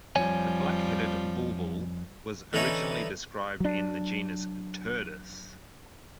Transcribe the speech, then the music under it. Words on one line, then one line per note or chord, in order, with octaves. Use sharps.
The black-headed bulbul was originally described in the genus "Turdus".
F2 F3 G3 C#5 G#5
D3 E3 C#4 D#4 E4
F#3 D4